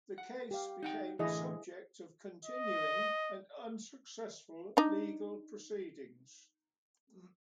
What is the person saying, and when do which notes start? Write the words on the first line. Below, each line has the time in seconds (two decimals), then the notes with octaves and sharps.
The case became the subject of continuing and unsuccessful legal proceedings.
0.18 F#5
0.51 G4 F5
0.83 D#4 F#5 G5
1.19 A2 D3 E3 E4 G#4 D#5
2.45 D#5
4.77 D4 D#4